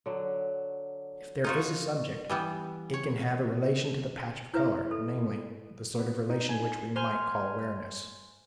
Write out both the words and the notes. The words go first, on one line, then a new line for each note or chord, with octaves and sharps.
If there is a subject, it can have a relation to the patch of colour, namely, the sort of relation which we might call awareness.
D3 F#3
D#4 F4 F#4
E3 G3 B3
C#5
E4 B4 E5
A4
B3
D#4
G#5
C5 G#5 C6 F6